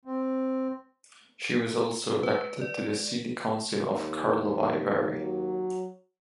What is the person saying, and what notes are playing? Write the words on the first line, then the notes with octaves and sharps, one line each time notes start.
She was also elected to the city council of Karlovy Vary.
C4
B4
D5
D#2
F#3